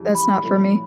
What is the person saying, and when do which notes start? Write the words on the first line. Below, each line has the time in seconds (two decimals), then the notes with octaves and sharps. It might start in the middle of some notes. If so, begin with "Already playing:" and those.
That's not for me.
Already playing: F2 C#3 E3 G3
0.15 B5
0.43 C2 A#2 F3 A3 C#4